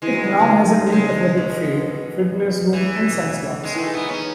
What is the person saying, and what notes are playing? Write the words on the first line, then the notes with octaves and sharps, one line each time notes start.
It now has a new athletic field, fitness room, and science labs.
E3 G#3
F#3
E3
C#3
D#3
F#3
C#3 G#3
C#3
C#3
B2
B2
E3
B2
C#3
D#3 G#3
E3 A3
G#3
B3 D#4
B3 C#4